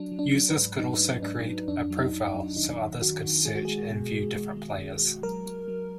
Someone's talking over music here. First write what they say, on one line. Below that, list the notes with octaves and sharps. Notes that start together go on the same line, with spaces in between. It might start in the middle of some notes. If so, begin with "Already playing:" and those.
Users could also create a profile, so others could search and view different players.
Already playing: F#3 D4
F#3
D4
F#3
B4
G#2
F#3 D#4
F#3
G#2 D4
F#3
F2 D4
F#3
D#4
F2
D#4
F#3
D#3 D#4
D#3
D#3 F#4
D#3
G#3 G#4
F#4
G#3 G#4
B2
G#3
G#3
G#3
G#3
G#3
F#3 A#4
F#3
F#3